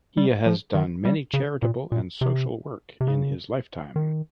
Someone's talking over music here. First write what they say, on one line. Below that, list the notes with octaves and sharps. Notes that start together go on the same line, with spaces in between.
He has done many charitable and social work in his lifetime.
G3
F3
D#3
G3
C#3
A#2
A#2
C3
C3
C#3
D#3